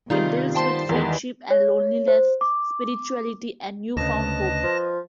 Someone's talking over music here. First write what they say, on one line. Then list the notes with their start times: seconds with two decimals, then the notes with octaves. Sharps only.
It deals with friendship and loneliness, spirituality and newfound hope.
0.10 C3 D#3 G3 D#4 F4 G#4
0.55 B3 C5 G5 A5 C6
0.89 E2 D#3 B3 G4
1.51 C#5
2.08 C5
2.41 D6
3.97 D2 C#3 B4 D#5 A5 A#6
4.64 F3